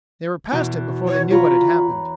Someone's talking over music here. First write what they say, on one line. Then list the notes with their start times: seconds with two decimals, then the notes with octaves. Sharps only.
They were past it before they knew what had happened.
0.52 E2 B2 E4
1.08 C#5
1.30 F4 C#5 A#5 B5